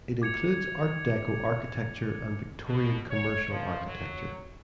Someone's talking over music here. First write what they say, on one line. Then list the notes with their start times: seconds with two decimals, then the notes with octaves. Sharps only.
It includes Art Deco architecture and Victorian commercial architecture.
0.22 D6 G#6 C#7 F7
2.64 B2
3.10 C#5
3.50 F3
3.85 F#3